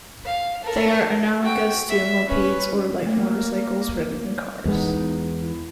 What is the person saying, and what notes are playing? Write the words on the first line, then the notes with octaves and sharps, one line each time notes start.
They are analogous to mopeds or light motorcycles rather than cars.
F5
A4 A#4
F#4 G5
E5
C#4 B4
A3 A#3
E2 G#3 B3 D#4
E4